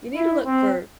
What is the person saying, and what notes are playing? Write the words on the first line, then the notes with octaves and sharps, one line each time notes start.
you need to look for
E4
C4